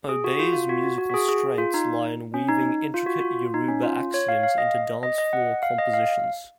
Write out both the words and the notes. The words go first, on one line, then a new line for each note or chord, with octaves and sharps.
Obey's musical strengths lie in weaving intricate Yoruba axioms into dance-floor compositions.
G#4
F#4
F4
F4
F#4
F#4
F#4
F#4
G#4
G#4
F4
D#4
C#4
D#4
F4
F#4
F4
D#4
C#4
F4
C#5
F5
F5
D#5
D#5
D#5
F#5
F5
D#5
F5